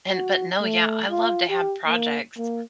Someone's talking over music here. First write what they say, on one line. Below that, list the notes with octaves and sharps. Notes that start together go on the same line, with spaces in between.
And but no, yeah, I love to have projects
F#4
A3
F4
G4
A#3
A#3